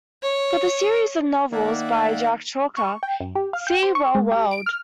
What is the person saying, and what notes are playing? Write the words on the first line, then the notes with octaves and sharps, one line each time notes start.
For the series of novels by Jack Chalker see Well World.
C#5
D#3 A#3 D5 E5 F#5
C#6
G5
F#2
G4
F5
G5
C5
C#6
G#3
G4
D7
F6